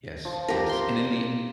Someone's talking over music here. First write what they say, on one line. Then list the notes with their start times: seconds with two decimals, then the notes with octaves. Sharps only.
Yes, yes. And in the
0.25 F3
0.48 G4 A#4
0.69 C6